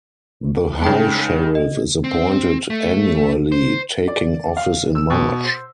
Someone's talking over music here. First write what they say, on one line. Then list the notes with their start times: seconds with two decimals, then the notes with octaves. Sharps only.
The High Sheriff is appointed annually, taking office in March.
0.82 C#3 G#3 D#4 G5 A5
1.55 D#5
2.04 C4
2.70 A3
3.52 C5
4.08 D5
4.57 F5
4.95 E6
5.10 B2
5.44 C5